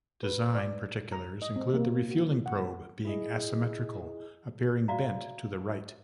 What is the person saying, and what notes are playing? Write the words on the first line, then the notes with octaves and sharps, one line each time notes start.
Design particulars include the refueling probe being asymmetrical, appearing bent to the right.
B4
D5
A#5
D#5
C4
A#3
F#4
F#5
E4 G#4 D#5
F#4 D5 E5 F5 A#5